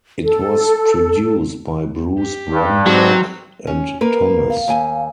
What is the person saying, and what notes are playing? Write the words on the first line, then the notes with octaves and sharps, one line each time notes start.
It was produced by Bruce Bromberg and Thomas.
A4
G4
G2
F#3 C4
C#4
A#3 A#4 B4
F5
D#2 G#5